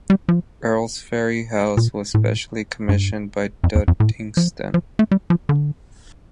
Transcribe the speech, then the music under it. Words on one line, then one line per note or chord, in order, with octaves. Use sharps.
Earlsferry House was specially commissioned by Duddingston.
G3
F3
A#2
A2
G2
F2
E2
F2
A2
F3
F3
A3
G3
F3
D3